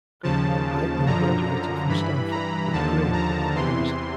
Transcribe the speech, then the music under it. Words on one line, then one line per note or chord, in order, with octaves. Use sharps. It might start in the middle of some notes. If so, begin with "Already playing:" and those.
Heitmann graduated from Stanford with a degree in public policy.
D#2 C#3 F3 A5
F#2 D3 F3 A#5
G2 E3 B5
A#5
D#2 D3 F3 A5
A#5
E2 C3 E3 C6